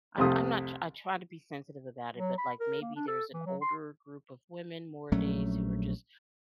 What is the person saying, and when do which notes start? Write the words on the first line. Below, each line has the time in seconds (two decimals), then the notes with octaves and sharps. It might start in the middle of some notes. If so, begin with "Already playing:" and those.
I'm I'm not I try to be sensitive about it, but, like, maybe there's an older group of women more days, who are just
0.18 C2 F2 C3 F3 A3 D#6
2.16 F#3
2.38 B5
2.60 A#4
2.82 A#3
2.96 D4
3.08 A4
3.34 E3
3.46 F#3
3.62 C6
5.12 A#1 F#3 A3 C#4